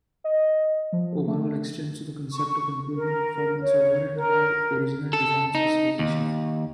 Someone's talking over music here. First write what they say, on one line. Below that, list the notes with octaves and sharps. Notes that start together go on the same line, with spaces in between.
Overhaul extends to the concept of improving performance over and above original design specification.
D#5
F3
A3
C#6
A#4
C#5
A#4
A4
D#4
D#2